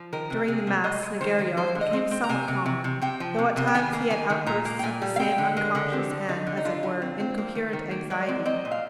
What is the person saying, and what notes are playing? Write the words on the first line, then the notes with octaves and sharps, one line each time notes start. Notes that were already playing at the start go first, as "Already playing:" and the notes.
During the mass Snegiryov became somewhat calmer, though at times he had outbursts of the same unconscious and, as it were, incoherent anxiety.
Already playing: F3
D#3 A#4
C3
C3 G#4
C3
G#3 D#5
G#3
D#3 C5
D#3
F3 C5
D3
D#5
C4
C4
A#5
C3 G#5
C3
C3
C3
C3 G5
F3
C3
C3
G5
D#3 G#5
A#3
D#3 G#5
D#3
A#2 A#5
A#3
G5
A#2 G#5
G3
F5
C4 G5
D3
G#3 A#4
D3
C4 G4
D3
D3 D#4
D3
D#4
D3 F4
D3
C4
C4
A#3
D#3
D#3
A#3
G#3 D5
C4
C4 D#5
A#2
F5